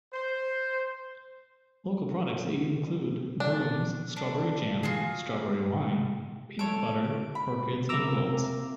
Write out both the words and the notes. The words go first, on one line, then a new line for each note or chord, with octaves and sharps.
Local products include brooms, strawberry jam, strawberry wine, peanut butter, orchids and quilts.
C5
D4
D4
F4 F#4 G#4
A4 C#5 D7
B5
C3 A#3 A#5 D6 E6